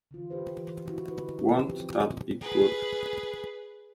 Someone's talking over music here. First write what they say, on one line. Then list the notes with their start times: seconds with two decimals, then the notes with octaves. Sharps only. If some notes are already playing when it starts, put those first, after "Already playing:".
Won't that be good!
0.11 D3 E3 F4
0.30 G4 B4 C5
0.55 E3
0.86 E4 F#4
1.11 D3 D#4 B4
1.63 F3 C4 G4
2.40 G#4 B4